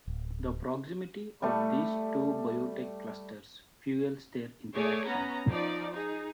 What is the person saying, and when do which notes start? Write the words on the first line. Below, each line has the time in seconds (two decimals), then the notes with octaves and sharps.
The proximity of these two biotech clusters fuels their interaction.
0.07 D1
1.42 G3 A3
4.74 A3 G#4 C#5 D5
5.05 B3 C#4 A#5
5.48 F3 D#4 D5
5.92 D#4 G#4